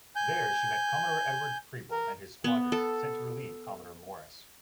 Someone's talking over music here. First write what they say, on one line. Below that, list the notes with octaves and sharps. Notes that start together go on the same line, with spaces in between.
There, she met Commodore Edward Preble and his squadron, sent to relieve Commodore Morris.
G#5 G6
A#4
B3
A4